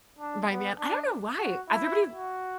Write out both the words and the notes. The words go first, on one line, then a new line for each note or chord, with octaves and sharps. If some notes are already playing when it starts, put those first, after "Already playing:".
by then I don't know why, everybody
D4
B3
D4
F#4
E4
F#4